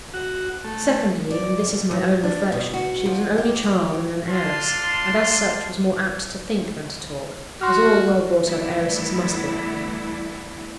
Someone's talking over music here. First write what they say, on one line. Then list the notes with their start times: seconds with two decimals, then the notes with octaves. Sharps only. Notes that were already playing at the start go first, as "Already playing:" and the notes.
Secondly,--and this is my own reflection,--she was an only child and an heiress; and as such was more apt to think than to talk, as all well-brought-up heiresses must be. I think.
0.14 F#4
0.64 A3
1.30 D5
1.68 G3
1.91 F#3
2.23 D4
2.52 B2
2.73 F#4
3.06 F3
3.38 G4
3.63 G4
4.28 D4 F4 A5 C6
7.61 F#4 C6 F6
8.46 E3 G3 A3 B3 D4 E4